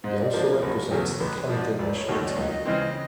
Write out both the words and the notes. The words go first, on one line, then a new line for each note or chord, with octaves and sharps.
He also represents the Canada national team.
G#2 C5
D#5
D5
F3 A#3 D4 C5
A#4
F#1 F#4
G4
E2 C#3 F#3 A3 G#4
A#4
A1 B4
G#2 F3 D5
F1 D5
C#5
D#2 D#3 F#3 A3 C#5
D5
C#2 D#5
C#3 E3 G#3 C4